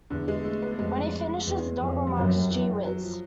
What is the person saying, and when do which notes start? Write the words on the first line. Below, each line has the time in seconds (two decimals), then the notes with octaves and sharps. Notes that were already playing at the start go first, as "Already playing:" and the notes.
When he finishes, the dog remarks, Gee whiz!
0.10 E2 D3
0.28 G#3
0.45 A3
0.62 B3
0.79 F2 G#3
1.47 E2
1.81 F2
2.07 G3
2.16 F#2 F#3
2.50 E3
2.85 F#3
3.02 F3